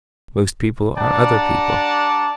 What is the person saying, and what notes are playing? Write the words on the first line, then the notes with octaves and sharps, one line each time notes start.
Most people are other people.
G3 D4 D5 F#5 A5 A#5